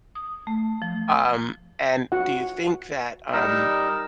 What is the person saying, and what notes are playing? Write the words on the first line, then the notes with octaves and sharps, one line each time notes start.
um, and, do you think that, um,
D#6
A3
F3
F#4 F#5
G3 D#4 A#4 E6